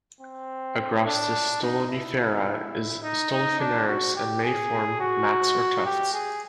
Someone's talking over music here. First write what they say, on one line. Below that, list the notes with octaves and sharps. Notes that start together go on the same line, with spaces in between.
"Agrostis stolonifera" is stoloniferous and may form mats or tufts.
C4
D4
D#4
E4
D#4
D#4
D4
F#4
G4
G#4
F#4
G4
G#4